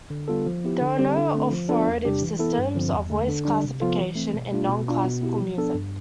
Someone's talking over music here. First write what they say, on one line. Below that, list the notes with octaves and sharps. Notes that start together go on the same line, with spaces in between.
There is no authoritative system of voice classification in non-classical music.
D3
G3 B3 F4 A4
F3
B3 E4 G4
D3
G3 C4 G4
D3
A3 C4
F3
B3 D4 F4 A4
E2
C3 G3 D4 G4
E3
B3 E4 A4
G2
D3 F3 C4
E2
D3 A3
D3
G3 D4
C3
F3 B3 F4 A4
E3
A3 C4
B2
A3 D4 F4
B2
B3 D4 F4
B2
B3 E4 G4
F3
B3 D4 A4
G2